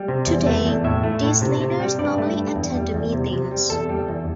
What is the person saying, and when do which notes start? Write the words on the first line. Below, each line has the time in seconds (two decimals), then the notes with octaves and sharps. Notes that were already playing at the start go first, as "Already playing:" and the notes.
Today, these leaders normally attend the meetings.
Already playing: G3 D5
0.08 C3
0.27 E2
0.47 A3
0.66 E2
0.84 A2 E5
1.03 A3
1.22 A2
1.42 C3
1.61 C3
1.80 G3
1.99 G2 D5
2.18 A3
2.37 G2
2.56 E2
2.75 G3
2.94 E2
3.13 C3
3.33 C3
3.51 G3
3.70 E2 A4
3.89 G3
4.08 E2